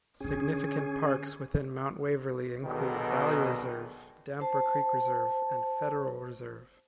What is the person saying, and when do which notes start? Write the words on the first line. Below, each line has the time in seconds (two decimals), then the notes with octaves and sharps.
Significant parks within Mount Waverley include Valley Reserve, Damper Creek Reserve, and Federal Reserve.
0.21 A1 D3 C#4 G#4
2.64 B1 B2 D3 D#3 G#3
4.40 C5 A5